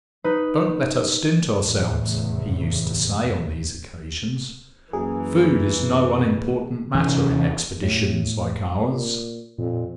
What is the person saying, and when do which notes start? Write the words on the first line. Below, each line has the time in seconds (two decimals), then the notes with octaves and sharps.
"Don't let us stint ourselves," he used to say on these occasions; "food is no unimportant matter in expeditions like ours."
0.24 D#4 B4
1.54 F1 E2 A2 C#3
4.93 F#2 E3 A#3 G#4
6.95 C3 E3 C#4
7.82 A2
8.90 A#2
9.58 F2 A#2